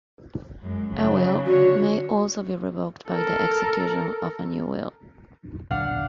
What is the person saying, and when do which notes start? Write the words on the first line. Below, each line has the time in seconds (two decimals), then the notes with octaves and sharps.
A will may also be revoked by the execution of a new will.
0.62 F#2 G#3
0.92 C#3 F#3
1.46 D3 F#4 C#5
3.09 A4 A#4
5.71 D#1 B1 D3 D4 F5 F#5